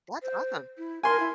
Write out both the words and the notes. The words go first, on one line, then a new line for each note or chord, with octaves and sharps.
That's awesome.
C5
E4
A#4 G#5 C6
E4